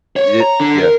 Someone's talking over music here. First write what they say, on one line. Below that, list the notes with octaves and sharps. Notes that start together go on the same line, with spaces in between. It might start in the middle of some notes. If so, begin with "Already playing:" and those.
Ye yeah.
C#5
A#5
D3
A#4